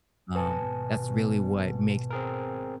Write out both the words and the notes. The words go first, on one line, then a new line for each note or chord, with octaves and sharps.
um, that's really what makes
G#1 B2 B4 G#5 A5
C4 G#4 A#4